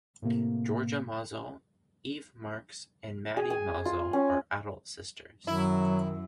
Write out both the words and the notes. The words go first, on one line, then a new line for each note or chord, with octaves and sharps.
Georgia Mozell, Eve Marks and Maddy Mozell are adult sisters.
A2 C3 A#3
G#4
G#5
F4
C#4
F#2 D#3 F#3 E4